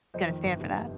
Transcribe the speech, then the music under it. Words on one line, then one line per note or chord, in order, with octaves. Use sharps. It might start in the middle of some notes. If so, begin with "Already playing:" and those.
gonna stand for that.
F2 C5 D#5
D#3
G1
C3